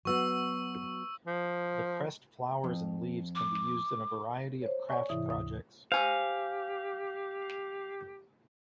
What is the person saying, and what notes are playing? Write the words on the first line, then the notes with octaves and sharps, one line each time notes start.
The pressed flowers and leaves can be used in a variety of craft projects.
F#3 B3 F#4 C#6 E6
F3
F2
D6
C5 C#5
C#5 D5 G#5 C#6
G#2 C3 E3 E4 E5 D#6
D2 D#6
G4 C5 F5 G#5